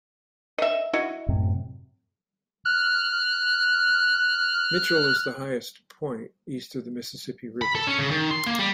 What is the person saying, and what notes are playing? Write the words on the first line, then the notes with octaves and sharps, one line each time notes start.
Mitchell is the highest point east of the Mississippi River.
D#5 E5
E4 F#4 D#5
F#2 A2 C3
F6 F#6
B5
A4
C#4
C#3
D#3
C6
A#3
G3